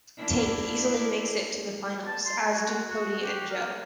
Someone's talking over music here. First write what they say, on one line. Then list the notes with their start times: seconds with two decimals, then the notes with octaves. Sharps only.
Tank easily makes it to the finals, as do Cody and Joe.
0.17 A#3 D4 E4
2.06 A5
2.26 C6
2.39 G#5
2.54 F#4
2.90 F#4
3.23 G4
3.50 A#4